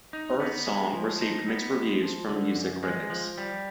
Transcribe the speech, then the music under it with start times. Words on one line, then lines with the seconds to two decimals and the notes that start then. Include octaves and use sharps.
"Earth Song" received mixed reviews from music critics.
0.13 D#4
0.40 B3
0.67 G#3
0.93 F3
1.21 D#4
1.48 B3
1.75 G#3
2.02 F3
2.29 D3
2.55 F#2
2.83 G#3
3.10 F3
3.38 G3